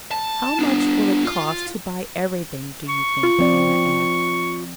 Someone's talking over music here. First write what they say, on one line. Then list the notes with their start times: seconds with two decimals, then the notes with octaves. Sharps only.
'How much will it cost to buy everything, do you think?' Anna asked.
0.11 A5
0.59 B3 D4
1.25 F4
2.89 C#6
3.23 F4
3.39 F3 C4 D5